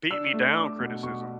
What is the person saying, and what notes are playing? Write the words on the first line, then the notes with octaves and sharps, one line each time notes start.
beat-me-down criticism.
D4 E6
A3
D4 D6
B2
B2 C#6